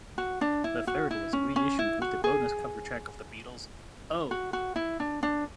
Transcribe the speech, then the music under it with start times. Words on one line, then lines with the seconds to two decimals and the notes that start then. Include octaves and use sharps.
The third was reissued with the bonus cover track of The Beatles' Oh!
0.18 F#4
0.41 D4
0.64 E4
0.87 F#4
1.11 E4
1.33 C#4
1.56 C#4
1.79 E4
2.02 F#4
2.24 G#4
4.31 F#4
4.53 F#4
4.76 E4
5.00 D4
5.23 D4